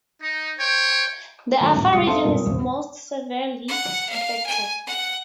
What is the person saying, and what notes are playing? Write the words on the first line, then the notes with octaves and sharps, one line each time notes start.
The Afar Region is most severely affected.
D#4
C5 C#5 G5
D#3 F#3 A3 A#3 C#4 F#4
D#1 A2 D#3
C2 G#2 F#3 G4 D#6 C#7
C4 A4 E5 F5 A5 C6
E1 G2 A#2 C4 A#4
D#1 D#2 C3
F#5
F5
G#5
F#5